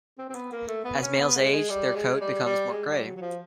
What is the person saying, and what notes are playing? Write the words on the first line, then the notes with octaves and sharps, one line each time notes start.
As males age, their coat becomes more grey.
C4
C4
B3
A#3
A3
B3
C#4
B3
G#3
G#3
G3
G#3
G3
G3
G#3
G3
F#3
F#3
F3